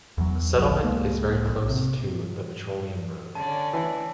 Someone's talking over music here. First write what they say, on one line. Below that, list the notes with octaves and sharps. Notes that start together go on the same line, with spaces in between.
The settlement is very close to the Petroleum Road.
E2 F#3
F#1 C2 A2 D#3
C#2 G#3 A#3
A#1
C3
D3 C#4 D5 A5
E3